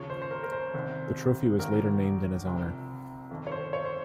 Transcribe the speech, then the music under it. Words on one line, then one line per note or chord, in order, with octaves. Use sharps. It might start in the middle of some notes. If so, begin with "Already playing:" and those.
The trophy was later named in his honour.
Already playing: D#2 C#3 F3 C#5
C5
C5
A#4
A#4
C5
C2 C3 D#3
G#1 G2 D#3 A#4
C2 C3 F3
G1 F2 D#3
C#5
C5
C#5
C5